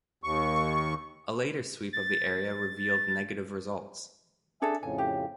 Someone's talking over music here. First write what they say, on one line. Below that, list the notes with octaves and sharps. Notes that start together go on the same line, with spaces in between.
A later sweep of the area revealed negative results.
D#2 C#6
A6
D4 G#4 A4 E5 G#5
F2 A2 C#3 G#5
G4